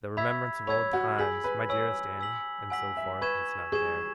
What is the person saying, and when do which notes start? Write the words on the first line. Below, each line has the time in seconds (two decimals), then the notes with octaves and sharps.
"The remembrance of old times, my dearest Annie"--and so forth--it's not there.
0.17 E5 B5 E6 G#6 B6
0.67 C#5 B5 E6 G#6 B6
0.93 F#4
1.18 G#4 G#5 E6 B6 F#7
1.44 B4
1.69 C#5 G#5 E6 B6 F#7
2.20 G#5 E6 B6 F#7
2.70 F#5 G#5 E6 B6 F#7
2.97 E5
3.21 B4 C#6 G#6 E7
3.72 G#4 C#6 G#6 E7